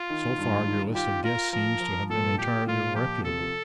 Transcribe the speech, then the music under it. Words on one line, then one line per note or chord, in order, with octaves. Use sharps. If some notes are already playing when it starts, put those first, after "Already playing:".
"So far, your list of guests seems to have been entirely reputable."
Already playing: F4
D#3
G2
D#3
F4 G4
F4 A#4
F3 A#4
F3
A#2 A4
A#2 G4
A#2 F4
F3 G4
C3 A4